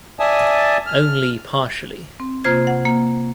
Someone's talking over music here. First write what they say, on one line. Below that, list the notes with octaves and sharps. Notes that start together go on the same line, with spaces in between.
Only partially.
D5 E5 G#5 A5 D#6
F6
C4
C3 A#3 F4 C5 G#6
F#5
A#3